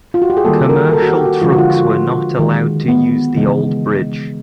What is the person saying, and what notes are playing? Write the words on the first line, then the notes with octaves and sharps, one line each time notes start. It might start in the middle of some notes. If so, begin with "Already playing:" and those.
Commercial trucks were not allowed to use the old bridge.
F4
F#4
G4
G#4
D#3 G3 A#3 A4
A#4
A#4
A4
F#4
G4
F#4
D3 F3 G#3 F4
F#4
F4
F4
D#3 G#3
B3
C#3 E3 G#3